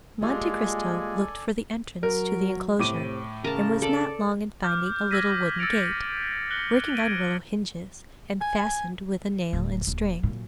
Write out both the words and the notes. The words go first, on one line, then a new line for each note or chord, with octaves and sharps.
Monte Cristo looked for the entrance to the enclosure, and was not long in finding a little wooden gate, working on willow hinges, and fastened with a nail and string.
G3 G#3 A#3 F4 A4 D5 G#5
F#3 A#4
A2 C3 D6 D#7
C#3 A#4 A5
A4 D5
D6 F6 G6
E6 G#6 A#6 B6 D#7
E6 A6 C#7 D7 F7
F#6 A#6 C#7 F#7 G7
G#6 D7 D#7
G#5
D1
D#1
A#2 F#3